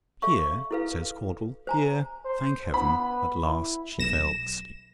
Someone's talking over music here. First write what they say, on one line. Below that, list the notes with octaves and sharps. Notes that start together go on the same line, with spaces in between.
"And here," says Caudle--"Here, thank Heaven! at last she fell asleep."
A4 C#5 E5 F5 C#6
E4 F#4 A4 B4 F5
C5 G#5 A#5
C5
B3 B5
E4
B1 A#6 E7